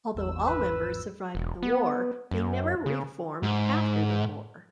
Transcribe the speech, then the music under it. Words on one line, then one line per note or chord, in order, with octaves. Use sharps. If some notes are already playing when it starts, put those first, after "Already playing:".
Although all members survived the war, they never re-formed after the war.
G#1 E2 E6
B4
E1
B3
F#2
C#3
G#2